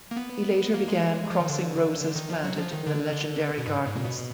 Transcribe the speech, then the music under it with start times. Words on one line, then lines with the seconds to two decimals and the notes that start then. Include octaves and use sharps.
He later began crossing roses planted in the legendary gardens.
0.11 A#3
0.16 B3
0.74 A#3
0.88 G#3
1.30 F3
1.40 D#3
1.50 D3
2.16 D#3
2.30 F3
2.44 F#3
2.58 F3
2.73 D#3
2.87 D3
3.58 B2
3.67 G#2
3.86 G#2
3.96 A#2
4.05 B2